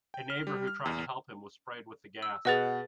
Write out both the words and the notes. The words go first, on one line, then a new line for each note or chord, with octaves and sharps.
A neighbour who tried to help him was sprayed with the gas.
G5
F6
G3
F6
E2
E6
B2 G#4 B4 D#5 F#5 A6